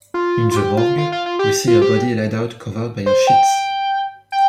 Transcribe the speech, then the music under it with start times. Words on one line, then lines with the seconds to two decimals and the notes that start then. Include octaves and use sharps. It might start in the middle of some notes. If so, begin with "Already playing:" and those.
In the morgue, we see a body laid out covered by a sheet.
0.14 F4
0.52 F4
0.56 G4
0.77 F4
0.98 F4
1.12 F4
1.26 F4
1.39 G4
1.68 F4
1.82 G4
3.06 C5
3.27 G5
4.32 G5